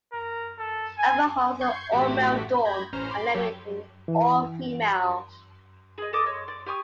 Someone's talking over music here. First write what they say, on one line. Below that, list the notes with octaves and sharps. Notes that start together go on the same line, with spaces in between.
Albert Hall was an all-male dorm, and Lemming an all-female.
A#4
A4
G#5
C#6 G6 G#6 C7
A1 A2 A3 F#4 G4 B6
B5 G6 G#6 A#6
A1 C#4 C5 A#5 F6
B5 C6 D6
F#3 G4 A4 C#5
E3
G#4 D#5
A4 D#5 D6 D#6
C#5 D#5
D5
G4 G#5 C#6 D#6